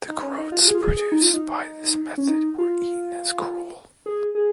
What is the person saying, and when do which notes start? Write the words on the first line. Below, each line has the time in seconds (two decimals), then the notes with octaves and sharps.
The groats produced by this method were eaten as gruel.
0.09 D#4
0.23 C#4
0.38 D#4
0.52 F4
0.62 F4
0.68 G#4
0.75 F4
0.81 G#4
0.97 G#4
1.12 D#4
1.22 F4
1.34 D#4
2.18 C#4
2.29 D#4
2.58 F4
4.06 G#4
4.35 G#4